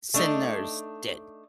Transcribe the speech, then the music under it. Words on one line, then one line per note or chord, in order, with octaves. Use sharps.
Sinners did?
A3 D4 D#4